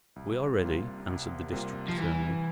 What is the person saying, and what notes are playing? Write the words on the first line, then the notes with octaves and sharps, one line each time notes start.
"We are ready," answered the District Attorney.
C2
C3 G3 A#3 F4
C2
C3 G3 A#3 F4
F3
C2 E3